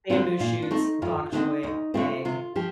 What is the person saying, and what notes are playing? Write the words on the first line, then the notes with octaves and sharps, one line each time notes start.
Bamboo shoots, bok choy, egg
D3 G3 C4 F4
A#2 F4
D4
A3 C4 D#4
F2 F4
D3 A3 C4 D#4
D2 D#4
D3 A3 C4 F4
C3 F4
F3 G4